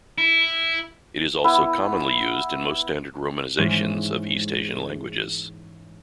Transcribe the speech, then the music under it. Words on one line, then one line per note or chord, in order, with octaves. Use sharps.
It is also commonly used in most standard romanizations of East-Asian languages.
E4
B3 E4
G#2 E3 G#3 C#4